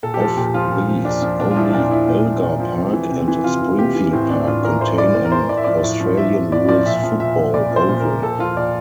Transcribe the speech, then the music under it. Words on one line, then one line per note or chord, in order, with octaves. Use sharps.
Of these, only Elgar Park and Springfield Park contain an Australian rules football oval.
A#2 A4
G4
F3 A4
A#2 G4
F3 F4
A#2
F3
A#2 D4
F3
A#2 D4
F4
F3 E4
A#2 D4
F3 E4
A#2
F3
A#2
F3
C3
E3
C3
E3
C3 F4
E3
C3 G4
E3
A2 C4
E3 D4
A2 F4
E3 A#4
A2 C5
E3 D5
A2
A#4
E3 C5
A2 D5
E5
F3 D5
A2
F3
A2 E5
F3
A2 D5
F3 D5
A#2 E5
F3
A#2 E5
F3
A#2 D5
F3
C5
A#2
A#4
F3
A#2 A4
F3 F4
A#2 D5